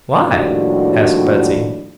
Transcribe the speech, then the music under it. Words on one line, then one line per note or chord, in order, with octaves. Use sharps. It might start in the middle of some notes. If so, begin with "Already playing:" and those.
"Why?" asked Betsy.
D#2 A2 F3 G3 D4 F#4